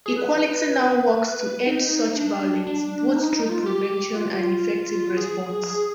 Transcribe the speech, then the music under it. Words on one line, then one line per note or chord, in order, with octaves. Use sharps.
Equality Now works to end such violence both through prevention and effective response.
G#4
B4
D#4
D4
D4
D#4
D#4
F4
G4
F4
G4
F4
G#4